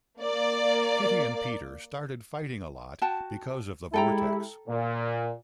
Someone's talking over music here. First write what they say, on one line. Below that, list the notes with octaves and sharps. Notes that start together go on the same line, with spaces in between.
Kitty and Peter started fighting a lot because of the Vortex.
A#3 D5
F#4 G5 A5
G#3 E4 G4 A4 G5 A#5
A#2